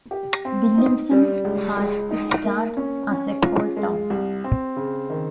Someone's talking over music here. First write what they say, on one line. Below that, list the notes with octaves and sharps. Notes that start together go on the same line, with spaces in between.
Williamson had its start as a coal town.
G4
C4
D#4
G3
C#2
G#3
D#4
A#3
C#4
C#4
F4
G#3
C2
C4
C#3
D#3